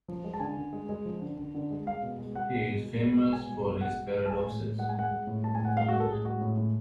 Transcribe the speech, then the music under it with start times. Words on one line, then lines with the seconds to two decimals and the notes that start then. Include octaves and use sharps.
He is famous for his paradoxes.
0.08 F3
0.24 G#3
0.34 A5
0.40 D3 G#5
0.57 D3
0.73 G#3
0.89 G#3
1.06 F3
1.22 D3
1.37 D3
1.55 D3
1.70 G#3
1.86 G#3 F5
2.03 B2
2.19 G#3
2.35 G#3 F#5
2.52 B2
2.68 G#3
2.84 G#3
3.00 B2
3.16 G#3
3.33 B2 G#5
3.49 G#3
3.65 B2
3.81 G#3 F#5
3.97 G#3
4.13 G#3
4.26 A5
4.30 G#3 G#5
4.46 A2
4.63 A2
4.78 G#3 F#5
4.89 G#5
4.95 G#3 F#5
5.11 G#3
5.27 A2
5.44 G#3 A5
5.55 A2 G#5
5.65 F#5
5.76 G#3 F5
5.88 F#4
5.92 G#3
6.00 A4
6.09 A2 G#4
6.25 G#3 F#4
6.41 A2
6.57 A2